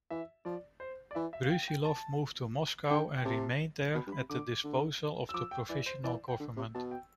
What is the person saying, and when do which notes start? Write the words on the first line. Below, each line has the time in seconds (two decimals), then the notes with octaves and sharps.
Brusilov moved to Moscow and remained there at the disposal of the Provisional Government.
0.10 E3 E5
0.45 F3 D5
0.80 C5
1.11 D5
1.15 E3 E5
1.33 E5
1.43 F5
1.50 G5
1.68 G5
1.85 A5
2.90 D3 G5
3.16 G5
3.25 C3 A5
3.94 B2 B5
4.07 G2
4.12 B5
4.17 C3
4.30 D3 D6
4.64 D3
5.29 E6
5.34 F3 D6
5.51 G5
5.69 E3 D5
5.86 C5
6.04 E3 D5
6.28 G5
6.40 D3
6.56 C3
6.75 B2 A5
6.91 G5